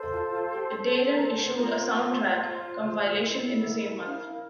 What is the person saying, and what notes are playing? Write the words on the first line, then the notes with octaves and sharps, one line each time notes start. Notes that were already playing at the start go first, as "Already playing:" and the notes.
Deram issued a 'soundtrack' compilation in the same month.
Already playing: A4 C5
F4 F5
F4 F5
G4 G5
A#4 A#5
F4 A#4 C5 A#5
E4 A#4 C5 C6
E5 E6
F5 F6